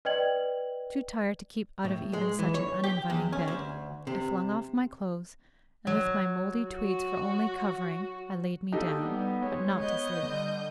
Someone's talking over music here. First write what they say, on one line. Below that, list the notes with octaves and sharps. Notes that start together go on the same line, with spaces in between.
Too tired to keep out of even such an uninviting bed, I flung off my clothes, and with my moldy tweeds for only covering I laid me down, but not to sleep.
B4 D5 D#5 G5 G#6 F#7
A2
G#3
E3
C#5
G4
E2
C#4
D2
C3
F#3
F#4
A#3 D4 D#4 G4 A4
G3 B3
G#3 C#5
B3 D#5 G6
D3 G3